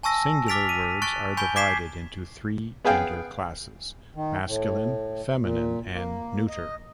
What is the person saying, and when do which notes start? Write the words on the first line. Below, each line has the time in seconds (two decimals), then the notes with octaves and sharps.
Singular words are divided into three gender classes: masculine, feminine, and neuter.
0.03 G#5 A5 C#6 E6 A#6
0.48 D6 F6 A6 B6 D7 F7
0.69 D#7
1.02 C#6 F#6 A6 D7
1.37 G#5 B5 C#6 G6 G7
1.56 D6 G#6 B6 C7 E7
2.85 B3 G#4 F5 G5
4.15 D#3
4.47 A2
5.41 A#2
5.94 A#3
6.48 D#5